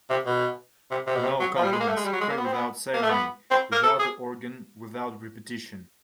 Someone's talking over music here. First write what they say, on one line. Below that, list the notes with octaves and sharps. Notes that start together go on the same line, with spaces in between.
No compliments, pray without ceremony, without the organ, without repetition.
C3
B2
C3
C3
B2
C3
F#3
F3
G3
G#3
A#3
A3
G#3
G3
F#3
G#3
A#3
B3
C4
B3
A#3
A3
B3
C4
A#4
A4
G#4